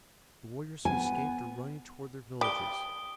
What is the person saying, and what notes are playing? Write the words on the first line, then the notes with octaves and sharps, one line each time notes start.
The warriors who escaped are running toward their villages.
B3 G#5
G3 D#6 D7 G7